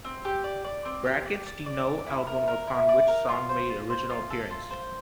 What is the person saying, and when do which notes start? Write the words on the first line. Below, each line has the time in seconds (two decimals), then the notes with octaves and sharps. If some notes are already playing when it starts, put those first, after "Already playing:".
Brackets denote album upon which song made original appearance.
0.05 C4
0.25 G4
0.44 D5
0.64 D5
0.85 C4
1.06 G4
1.26 D5
1.46 D5
1.66 D5
1.87 D5
2.06 E4
2.27 A#4
2.48 A#4
2.67 E4
2.89 D5
3.08 A#4
3.29 F4
3.49 C5
3.70 F4
3.90 C5
4.10 F4
4.30 A4
4.51 F4
4.71 C5